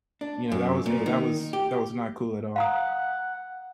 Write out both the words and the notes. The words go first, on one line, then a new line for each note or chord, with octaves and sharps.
you know, that was a that was that was not cool at all.
D4
F#2
A#2
D#3
G4
F5 F#5 A#5 D#6